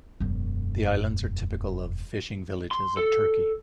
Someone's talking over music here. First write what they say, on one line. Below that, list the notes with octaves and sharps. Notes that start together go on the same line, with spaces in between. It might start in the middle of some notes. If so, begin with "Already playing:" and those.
The islands are typical of fishing villages of Turkey.
E1 F#2
C6
A4